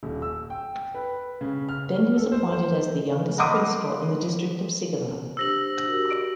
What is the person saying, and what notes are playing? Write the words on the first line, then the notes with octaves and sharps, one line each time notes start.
Then he was appointed as the youngest principal in the District of Segamat.
D#1
E6
G5
B4
C#3
F6
A4
C5
C5
D#5 F#5 B5 C6 D6 D#6
D4 G4 C5 E6 A#6 F#7
F#4 G4 A#4